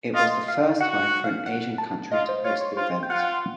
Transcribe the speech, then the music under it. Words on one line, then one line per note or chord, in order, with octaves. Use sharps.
It was the first time for an Asian country to host the event.
F4 D#5
F5
F#4 F#5
F#5
F5
F#5
A5
F4 D#5
C5
F4 C#5
C#5
F4 C5
G5
F4 F#5